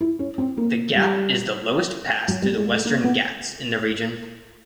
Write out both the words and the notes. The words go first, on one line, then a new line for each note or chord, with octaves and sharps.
The gap is the lowest pass through the Western Ghats in the region.
E4
C#4
C4
A#3
G3
F#3
G3
G#3
A3
A#3
B3